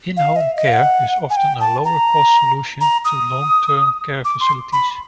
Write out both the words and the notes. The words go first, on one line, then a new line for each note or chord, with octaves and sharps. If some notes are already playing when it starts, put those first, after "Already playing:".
In-Home Care is often a lower cost solution to long-term care facilities.
F5
D#5
E5
D#5
F5
F#5
G#5
G5
A5
A#5
A#5
D#6
D6
C6
B5